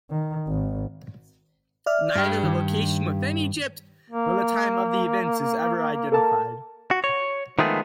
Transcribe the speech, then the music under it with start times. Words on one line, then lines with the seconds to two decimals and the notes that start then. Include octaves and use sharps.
Neither the location within Egypt nor the time of the events is ever identified.
0.11 D#3
0.48 G#1
1.86 D5 E5 F6
2.15 G2 G4
2.43 D#3
4.10 A#3
6.12 A4 A#4 A5
6.91 F#4
7.04 C#5
7.59 D#3 F3 G#3 A3 B3 G#4